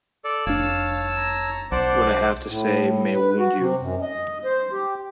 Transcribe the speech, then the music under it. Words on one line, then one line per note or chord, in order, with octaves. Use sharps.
What I have to say may wound you.
A4 D5
F1 D4 C#5 F5 A5 E6
A#5
B1 C5 D5 F#5 A5 D6
A2
B4
F#4
C3
F#2
D#5
C5
G4